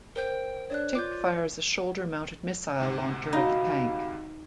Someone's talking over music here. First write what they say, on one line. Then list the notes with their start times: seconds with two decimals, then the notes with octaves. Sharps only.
Tick fires a shoulder-mounted missile launcher at the tank.
0.16 A#4 C5 G5 G6
0.70 D4 C#5 D5 F#6
0.95 F4 D6 G6
2.80 D2 G#2 C3
3.33 D#4 F#4 F5 B5